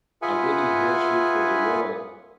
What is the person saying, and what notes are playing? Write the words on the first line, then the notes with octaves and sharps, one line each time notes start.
I wouldn't hurt you for the world.
F4 G#4 B4 E5 F#5 G#5